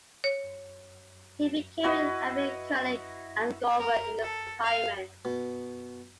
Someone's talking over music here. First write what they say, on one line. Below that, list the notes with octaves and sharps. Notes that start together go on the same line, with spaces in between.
He became an avid curler and golfer in his retirement.
C#5
E4 F#4 B4 D#5
A#4
A4
F5
B2